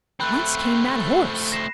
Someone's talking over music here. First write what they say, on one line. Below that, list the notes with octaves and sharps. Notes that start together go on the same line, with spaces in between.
Whence came that horse?
A3 C4 B5 C6 F#6
A#6 C7 E7